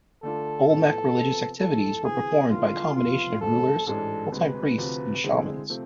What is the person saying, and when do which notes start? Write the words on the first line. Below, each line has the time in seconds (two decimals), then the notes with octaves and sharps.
Olmec religious activities were performed by a combination of rulers, full-time priests, and shamans.
0.23 D3 A3 D4 F4 A4
0.68 A2 F3 B3 A4
1.14 C3 F3 B3
1.60 F2 E3 A3 C4 A4
2.05 D2 C3 E3 B3 G#4
2.51 D3 G#3 B3 E4 F4 A4
2.96 F1 F2 C3 F3 B3 F4
3.41 G#1 G#2 G#3 C4 A4
3.86 A1 G#2 E3 G#3 D4 A4
4.32 D2 C3 G#3 B4
4.77 D2 C3 F3
5.24 D3 G#3 C4 E4 G#4
5.70 C3 F3 A3 C4